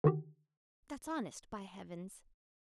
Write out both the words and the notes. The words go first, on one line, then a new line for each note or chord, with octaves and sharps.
That's honest, by heavens!
D3 D#3 F#4 G4